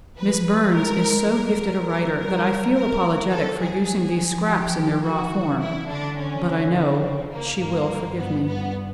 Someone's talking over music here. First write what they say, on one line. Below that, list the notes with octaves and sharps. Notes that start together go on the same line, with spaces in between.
Miss Burns is so gifted a writer that I feel apologetic for using these scraps in their raw form, but I know she will forgive me.
F3 B4
G#3 A#4
G3 A#4
F#3
A#4
G3 A#4
A#4
A4
F#3 G#4
F3
G4
F#4
E3
E4
D3 D4
C#4
D3
C4
C#3
A#3
G2 A#3
G2 B3
G2 B3